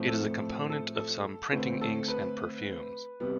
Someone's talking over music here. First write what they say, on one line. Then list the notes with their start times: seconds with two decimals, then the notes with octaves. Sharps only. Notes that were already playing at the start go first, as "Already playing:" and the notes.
It is a component of some printing inks and perfumes.
Already playing: A2 F3 A3 C4
0.08 A4
0.70 A4
0.96 A4
1.52 D3 A3 C4 B4
1.81 A4
2.08 B4
3.20 C3 G3 B3